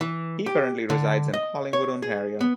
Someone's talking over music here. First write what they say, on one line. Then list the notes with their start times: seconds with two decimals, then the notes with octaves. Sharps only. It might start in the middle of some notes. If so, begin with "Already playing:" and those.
He currently resides in Collingwood, Ontario.
0.01 E3
0.46 G4
0.90 D3
1.34 D#5
1.73 C#5
2.02 G#4
2.41 B3